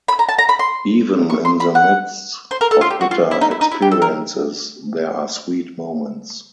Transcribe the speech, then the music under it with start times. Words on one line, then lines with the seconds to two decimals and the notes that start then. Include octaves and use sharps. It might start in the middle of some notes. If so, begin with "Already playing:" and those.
Even in the midst of bitter experiences, there are sweet moments.
0.08 B5
0.19 A#5
0.29 A5
0.38 A#5
0.49 B5
0.59 C6
1.30 C#6
1.45 C6
1.60 B5
1.75 F#5
2.51 C5
2.61 A#4
2.71 A4
2.81 F4
2.90 G4
3.01 F#4
3.11 F4
3.31 E4
3.41 D#4
3.51 E4
3.61 D#4
3.72 E4
3.82 G4
3.92 A4
4.02 A#4